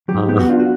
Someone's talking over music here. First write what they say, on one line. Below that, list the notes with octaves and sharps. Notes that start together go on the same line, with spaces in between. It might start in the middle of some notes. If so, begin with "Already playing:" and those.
Uh, huh
F#3 G4
B3 G4
F#4
D4 F4
F#4